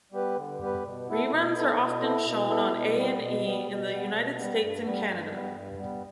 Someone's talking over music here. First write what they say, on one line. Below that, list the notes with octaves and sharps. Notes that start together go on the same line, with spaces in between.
Reruns are often shown on A and E in the United States and Canada.
G3 B3 G4 B4
D3
G3 B3 G4 B4
B2
B3 E4 A4
B2
B3 E4 A4
B2
B3 E4 A4
B2
B3 E4 A4
B2
G3 B3
B2
G3 B3
B2
G3 B3
B2
G3 B3
G2
G3 B3
G2
G3 B3
G2
G3 B3